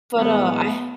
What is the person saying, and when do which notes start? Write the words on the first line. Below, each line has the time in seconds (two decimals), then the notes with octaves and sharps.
but, uh, I
0.18 A2 E3 G#3 B3